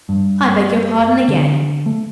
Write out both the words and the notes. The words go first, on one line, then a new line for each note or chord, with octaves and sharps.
I beg your pardon again.
G2
D3
A3